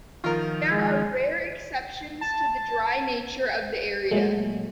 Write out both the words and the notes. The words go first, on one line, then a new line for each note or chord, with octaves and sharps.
There are rare exceptions to the dry nature of the area.
D#3 F3 F4 A#4
G#3
A5
A#2 F#3 G#3 A3